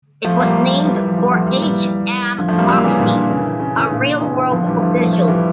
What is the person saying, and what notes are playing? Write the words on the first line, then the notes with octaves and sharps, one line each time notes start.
It was named for H. M. Hoxie, a railroad official.
F3 A3
G3 A#3
F3
E3 G3
F3
E3 G3
F3 A3
G3 A#3
E3 G3
D3 F3
F3 A3
G3 A#3
G3 A#3
C#3 E3
A#2 D3
C#3 E3
C#3
C#3 E3
A#2 D3
C#3 E3
D3 F3
E3 G3
F3 A3
F3 A3
F3 A3
E3 G3